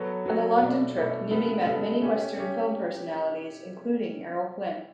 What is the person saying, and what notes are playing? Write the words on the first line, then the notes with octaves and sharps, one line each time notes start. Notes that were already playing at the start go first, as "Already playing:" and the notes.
On the London trip, Nimmi met many western film personalities including Errol Flynn.
Already playing: F#3 B3 F#4 A4 C#5
F#3 B3 F#4 A4 C#5
B2 A3 D4
B2 A3 D4
C#3 G3 B3 E4 A4
C#3 G3 B3 E4 A4
A3 C#4 G4 C#5
A3 C#4 G4 C#5